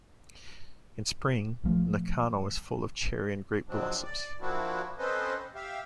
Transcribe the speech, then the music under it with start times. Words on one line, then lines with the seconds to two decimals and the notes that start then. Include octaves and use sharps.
In spring, Nakano is full of cherry and grape blossoms.
1.63 A#1 E3 F3 A3
3.69 F3 F#3 G#3 C4 D4
4.03 D5
4.41 F3 A#3 C4 D4 E4 F#4
4.99 C4 C#4 A4 B4 C5 D#5
5.55 G4 E5 F5